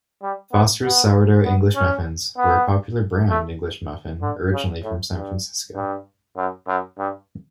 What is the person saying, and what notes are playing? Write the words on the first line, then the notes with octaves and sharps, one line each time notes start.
Foster's sourdough English muffins were a popular brand English muffin originally from San Francisco.
G3
B3
B3
B3
C#4
B3
A3
D3
C#3
A2
G2
G2
F#2
F#2
G2